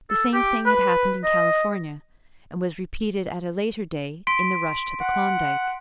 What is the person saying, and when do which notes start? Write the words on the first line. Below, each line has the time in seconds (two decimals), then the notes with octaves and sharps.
The same thing had happened in California, and was repeated at a later day in the rush to the Klondike.
0.10 A4
0.34 G4
0.66 B4
1.24 D#5
4.27 C6 B6 D7
5.01 F#5